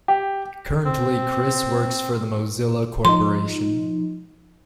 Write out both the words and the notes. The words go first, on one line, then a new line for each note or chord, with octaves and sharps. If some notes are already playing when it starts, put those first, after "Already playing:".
Currently Chris works for the Mozilla Corporation.
G4
C4
F3 D#4 C6